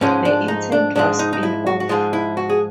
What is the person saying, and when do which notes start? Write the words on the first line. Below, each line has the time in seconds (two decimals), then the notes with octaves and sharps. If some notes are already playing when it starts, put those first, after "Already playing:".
The intent was spin off.
0.01 G#2 F3 G#3 C#4
0.25 D4
0.48 D#4
0.72 D4
0.96 G#2 F3 G#3 D4
1.19 D#4
1.33 D#4
1.43 E4
1.66 F#4
1.80 F#4
1.89 G#2 F3 G#3 F4
2.13 E4
2.37 F#4
2.50 G#4